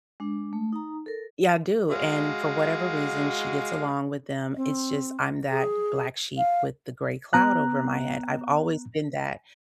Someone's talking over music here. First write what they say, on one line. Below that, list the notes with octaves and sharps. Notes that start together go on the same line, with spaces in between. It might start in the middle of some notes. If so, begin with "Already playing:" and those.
yeah, I do, and for whatever reason, she gets along with them. It's just I'm that black sheep with the gray cloud over my head. I've always been that,
G#3 D4
A3
D#4 A#5
A4 A#4
G#3 F#4 F5
C4
G#4
F5
B3 A#5 F#6